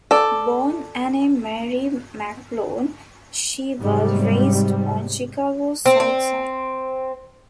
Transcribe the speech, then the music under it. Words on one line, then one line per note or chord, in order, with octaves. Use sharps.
Born Anne Marie McGlone, she was raised on Chicago's South Side.
A4 D5
G#2 C3 F#3 G3
C4
C4